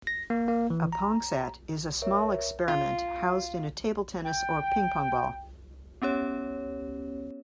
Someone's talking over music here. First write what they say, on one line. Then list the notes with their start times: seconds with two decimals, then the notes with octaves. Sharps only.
A PongSat is a small experiment housed in a table tennis or ping-pong ball.
0.07 A#6
0.30 A#3
0.48 A#3
0.70 E3
0.92 A#5
2.02 A#4 C#5 E5
2.68 F4
4.26 G5
6.02 B3 C#4 G4 C#5